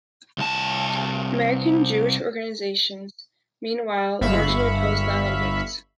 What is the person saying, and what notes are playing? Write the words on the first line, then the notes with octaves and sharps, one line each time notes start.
American Jewish organizations, meanwhile, largely opposed the Olympics.
C2 A5
G1 E5 F5 B5 C#6